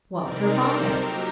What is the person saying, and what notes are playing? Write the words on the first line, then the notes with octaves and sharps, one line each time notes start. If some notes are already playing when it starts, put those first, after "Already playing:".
"What was her father?"
C3 G3 C4 D#4 A#4 D5
A4 C5
A#2 F#3 C4 D#4 G4 A#4